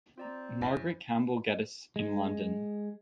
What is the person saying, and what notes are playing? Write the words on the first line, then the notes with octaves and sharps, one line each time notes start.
Margaret Campbell-Geddes in London.
C4 F4 D5 A#5
F#2 C#4 E4
G#3